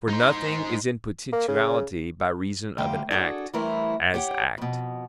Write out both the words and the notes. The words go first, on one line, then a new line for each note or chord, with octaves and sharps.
For nothing is in potentiality by reason of an act, as act.
D#4 C5
A#3
C#3
D2 D3 G3 F5 G5
D4 F#4 G#4 A4
E3 G3 A3 E4 A#4 C5
G4 C#5 F#5 G5
F2 B2